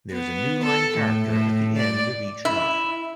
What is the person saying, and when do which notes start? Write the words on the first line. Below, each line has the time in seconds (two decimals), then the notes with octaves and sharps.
There is a newline character at the end of each line.
0.13 B3
0.66 A4
0.98 A2
1.28 A2
1.77 D5
2.45 E4